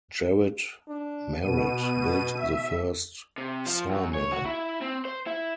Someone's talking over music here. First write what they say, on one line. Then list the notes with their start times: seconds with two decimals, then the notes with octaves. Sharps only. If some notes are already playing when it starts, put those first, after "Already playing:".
Jared Merritt built the first sawmill.
0.88 D4
1.41 B2 B3 D#7
2.37 E5
3.38 C3
3.66 F3
3.91 F#2
4.15 C#5
4.32 F#4
4.45 E4
4.82 C4
5.05 C5
5.27 E4